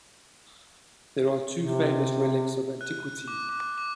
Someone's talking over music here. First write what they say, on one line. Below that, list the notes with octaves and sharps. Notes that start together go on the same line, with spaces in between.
There are two famous relics of antiquity.
C3
F#6
D6
D6
D6